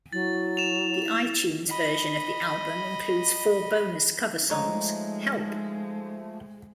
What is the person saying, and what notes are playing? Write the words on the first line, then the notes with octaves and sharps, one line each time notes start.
The iTunes version of the album includes four bonus cover songs, Help!
F#3 E4 A6
E7 F7
D#5 B5
F3 G#3 A3 D#4 C#5